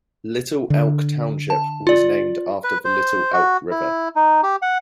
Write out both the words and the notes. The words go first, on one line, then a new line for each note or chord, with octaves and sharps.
Little Elk Township was named after the Little Elk River.
D3
A5
F4 D5
B4
C5
F#4
E4
D#4
G4
F#5